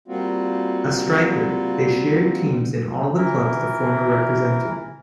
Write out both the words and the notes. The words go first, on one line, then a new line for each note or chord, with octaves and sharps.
A striker, they shared teams in all the clubs the former represented.
G3 A#3 C4 F4 F#4
E3 E4 A#4